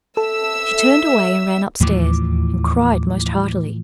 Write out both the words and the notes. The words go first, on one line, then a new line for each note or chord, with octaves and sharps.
She turned away, and ran up-stairs, and cried most heartily.
A4 E5 E6
D#2 A2 E3 F3 D6